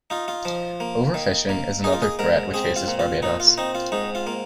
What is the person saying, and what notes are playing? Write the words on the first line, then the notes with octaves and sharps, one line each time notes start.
Overfishing is another threat which faces Barbados.
D#4 F4
F4
F3
A#3
D#3
A#3
D#4 G#4
F4
G#4
G#2 A#4
C4 G#4
F4
A#2
F4
A#2 D#4
F4
C4 D#4
F4
G#2 D#4
F4
A#3